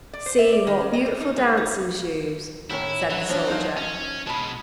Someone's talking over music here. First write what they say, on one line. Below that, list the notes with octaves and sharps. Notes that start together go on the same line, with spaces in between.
"See, what beautiful dancing shoes!" said the soldier.
D5
C5
E5
D5
D#3
C#4
D#5
G3
D#4
G#3
D#4
A2 D#3 C#4 E4
D3 E3 F#3
F3 C#4 D4
F3 D#4 F5
C#4
B2 G#3 A5 B5